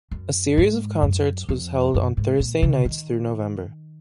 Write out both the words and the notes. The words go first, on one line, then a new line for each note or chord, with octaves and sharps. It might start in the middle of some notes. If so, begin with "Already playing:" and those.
A series of concerts was held on Thursday nights through November.
F#2
G#2
F#2
F2
F#2
G#2
A#2
C#3
D#3